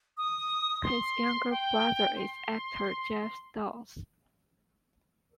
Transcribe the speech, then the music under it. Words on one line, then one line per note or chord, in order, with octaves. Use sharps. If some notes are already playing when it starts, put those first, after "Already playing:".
His younger brother is actor Geoff Stults.
D#6
C6
G5
C6